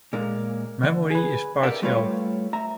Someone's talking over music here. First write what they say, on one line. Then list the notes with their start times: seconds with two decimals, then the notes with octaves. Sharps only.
Memory is partial.
0.13 A#2 G#3 A#3
0.83 D3
1.10 G#4 B4
1.63 G4 A#4 B4 D5 E5 F#5
1.82 G3 A3 F4 B4 C#5 F5
2.53 E5 A#5